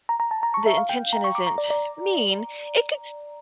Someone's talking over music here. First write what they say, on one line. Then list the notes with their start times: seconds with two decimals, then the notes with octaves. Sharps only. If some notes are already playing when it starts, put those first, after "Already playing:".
the intention isn't mean, it gets
0.09 A#5
0.20 A#5
0.31 A5
0.43 A#5
0.54 C#6
0.66 E5
0.77 F5
0.89 G5
1.13 A#5
1.24 C#6
1.35 D6
1.47 A#5
1.58 D5
1.70 D5